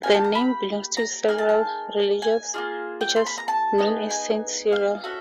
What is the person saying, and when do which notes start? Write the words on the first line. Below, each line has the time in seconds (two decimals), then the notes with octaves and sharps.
The name belongs to several religious figures known as Saint Cyril.
0.03 A#3 D4 G4 G#5
0.14 A5
0.24 A#5
0.35 B5
0.97 A#5
1.28 A#3 D#4 G#4 G#5
1.38 A5
1.49 A5
2.22 G#5
2.54 A#3 D4 F4 G#4
3.01 G5
3.16 C6
3.26 B5
3.38 A#5
3.48 A5
3.78 B3 D#4 G#4
4.11 G#5
4.72 F5
5.04 C#4 F#4 A4 E5